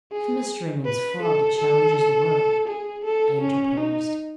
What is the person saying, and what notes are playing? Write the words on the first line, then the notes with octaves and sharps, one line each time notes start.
'If mystery means fog, it challenges the world,' I interposed.
G#4
B4
A4
A4
G#4
A4
C#4
D#4